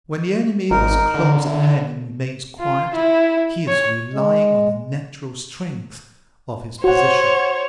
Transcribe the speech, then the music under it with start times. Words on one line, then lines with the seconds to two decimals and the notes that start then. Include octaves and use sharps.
When the enemy is close at hand and remains quiet, he is relying on the natural strength of his position.
0.71 G#1 D#4 A#4
1.14 D3
1.44 E4
2.60 F4
2.95 E4
3.68 C#5
4.13 G#3
6.84 F#4 C5 C#5 F#5